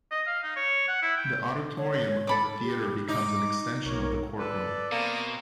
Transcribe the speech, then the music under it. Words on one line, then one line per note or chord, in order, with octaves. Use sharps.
The auditorium of the theatre becomes an extension of the courtroom.
D#5
F5
D#4
C#5
F#5
E4
G5
C#5
A4 B5 D6
G4
D#4 D6
B1 A#4 C#5
A4 B4 D5
B2 A#3 C4